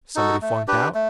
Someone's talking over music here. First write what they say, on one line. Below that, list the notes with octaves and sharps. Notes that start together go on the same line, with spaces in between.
Somebody flunked out?
D#4 F#4 A4
A3
D4 G4 B4
A3